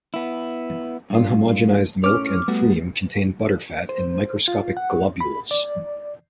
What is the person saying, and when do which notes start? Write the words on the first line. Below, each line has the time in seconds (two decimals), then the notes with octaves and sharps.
Unhomogenized milk and cream contain butterfat in microscopic globules.
0.14 B3 E4
1.10 G2 F4
2.04 A2 C#4 C#5 D6 F6
2.48 G3 A3 B3 F#4
3.89 C5
4.48 F4
4.77 F#5
5.21 B5
5.51 D5